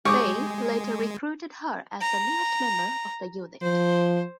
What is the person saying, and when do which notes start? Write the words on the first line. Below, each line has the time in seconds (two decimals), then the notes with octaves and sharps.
They later recruited her as the newest member of the unit.
0.05 G#3 G4 G#4 C#6 D6
2.01 A#5
3.62 F3 C5